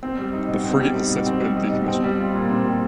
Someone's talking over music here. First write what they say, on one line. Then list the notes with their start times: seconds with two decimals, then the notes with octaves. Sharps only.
The frigate has since been decommissioned.
0.03 C4
0.18 G3
0.33 D#4
0.49 B2
0.64 C4
0.80 G3
0.95 D#4
1.10 B2
1.26 C4
1.41 G3
1.57 D#4
1.72 B2
1.88 C4
2.04 G3
2.19 F4
2.34 A#2
2.50 C4
2.65 G3